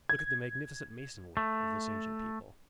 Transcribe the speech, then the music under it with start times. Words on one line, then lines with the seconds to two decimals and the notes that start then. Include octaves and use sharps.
Look at the magnificent mason-work of this ancient people!
0.09 G#6
1.37 A3